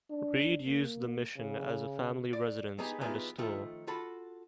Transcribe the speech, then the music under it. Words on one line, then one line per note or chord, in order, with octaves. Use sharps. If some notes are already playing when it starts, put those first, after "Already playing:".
Reed used the Mission as a family residence and a store.
D4
A#3
C#3
D5
G#3 B3 D#4 G4 G#4
E3 B3 D#4 F4 G4 G#4
D#3 F3 A3 F4
F4 F#4 A4 B5